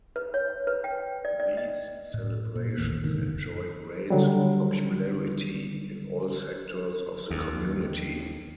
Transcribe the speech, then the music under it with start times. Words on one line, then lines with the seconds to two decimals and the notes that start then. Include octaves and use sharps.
These celebrations enjoy great popularity in all sectors of the community.
0.16 B4
0.34 C#5
0.67 B4
0.84 G5
1.25 D5
1.40 D5
1.57 D#5
2.14 A2
2.55 A#2
2.77 A1 D#2 A#3 B3
3.03 G#2 B2 D3 D#3
3.18 F#1 B1
4.10 D3 F#3 G3
7.30 D#2